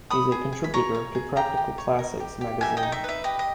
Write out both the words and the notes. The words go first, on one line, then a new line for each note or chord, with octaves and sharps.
He is a contributor to "Practical Classics" magazine.
C#5 B5 D#6
G#4
G#4
B5
C#5 A#5 C#6
C#5
G#4
G4 G5 A#5
G4
C#5
A#4
G4
G4
D#4 E5 G#5
D#5 G5
D#4
E5
B4 E5
G4 D#5
D#5